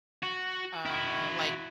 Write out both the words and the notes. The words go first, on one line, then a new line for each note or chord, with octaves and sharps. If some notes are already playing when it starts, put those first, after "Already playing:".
uh, like
F#4
E4 F#4